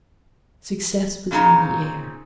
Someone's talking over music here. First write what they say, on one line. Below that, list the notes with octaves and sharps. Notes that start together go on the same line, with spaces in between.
Success was in the air.
A#2 C#3 C4 D#4 A#5